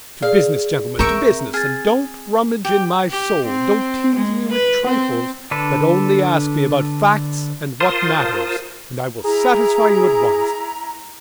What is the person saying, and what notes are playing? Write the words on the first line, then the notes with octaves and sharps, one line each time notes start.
To business, gentlemen, to business, and don't rummage in my soul; don't tease me with trifles, but only ask me about facts and what matters, and I will satisfy you at once.
G#4 D5 F5
C4 A#4 E5 C#6 G6 D7
G#4 F6 A6
G4
G4
C4
G#3
B4
C4
D3 D4 A4 B4
F4 A#4 C5 A5 C6 D#6
E4 G#4 A#5